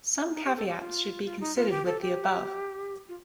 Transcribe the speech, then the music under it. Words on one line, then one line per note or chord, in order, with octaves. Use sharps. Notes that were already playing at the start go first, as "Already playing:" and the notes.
Some caveats should be considered with the above.
D#4
G4
A4
G4
F4
F4
D#4
F4
G4
A4
G4
F4